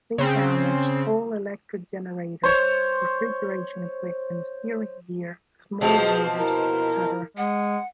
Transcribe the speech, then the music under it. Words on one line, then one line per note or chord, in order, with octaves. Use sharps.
They damaged all electric generators, refrigeration equipment, steering gear, small motors, etc.
C#3 C4
C5 C#5
B2 F3 C4 G#4
E4 A#4
G#3 F#5